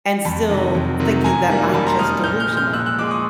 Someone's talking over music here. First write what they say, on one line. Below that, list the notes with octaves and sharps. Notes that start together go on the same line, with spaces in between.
and still thinking that I'm just delusional,
F2 A5 B5
C3 D#3 F#3
F2
C3 D#3 F#3
F#2 G#5 A#5
D#3 G3 A#3
F#2 A5 B5
A#5 C6
D#3 G3 A#3 D#6 F6
A#2 F6 G6
F6 G6
F3 G#3
F6 G6
A#2 E6 F#6
E6 F#6
F3 G#3 D6 E6
C#6 D#6